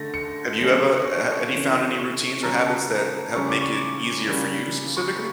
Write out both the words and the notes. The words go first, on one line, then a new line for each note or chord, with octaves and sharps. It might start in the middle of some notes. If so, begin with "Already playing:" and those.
Have you ever eh, have any found any routines or habits that he make it easier for you, specifically?
Already playing: D3 A3 A6 A#6
C#7
D3 F3 A3 C#4 A#6
C#6
C#3 E3 A3 C#4
C#6
C#3 G3 C#4 A#5
A5
A#5
C#3 G3 C#4 C#6
D6
C#6
C#3 G3 A#3
C#6